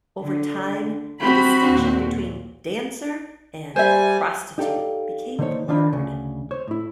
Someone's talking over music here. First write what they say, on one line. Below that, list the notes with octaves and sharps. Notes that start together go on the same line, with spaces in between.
Over time, the distinction between "dancer" and "prostitute" became blurred.
D3
C4 F#4 B5
D#2 A#2
G3 C5 E5 G#5
D#4 G4 A4 D5 F5
D3 A#3 D#4 C5 C#5
D#3 D4 F4 G#5 B5
D2 C#3
C5 C#5
A2 E4